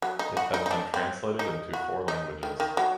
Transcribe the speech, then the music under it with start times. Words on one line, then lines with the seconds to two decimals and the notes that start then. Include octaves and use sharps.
It has been translated into four languages.
0.02 F#3
0.19 D#4
0.37 F#4
0.54 D#4
0.66 D#4
0.71 D4
0.94 C4
1.39 D#4
1.73 F#4
2.08 D#4
2.43 D#3
2.60 D#3
2.77 F#3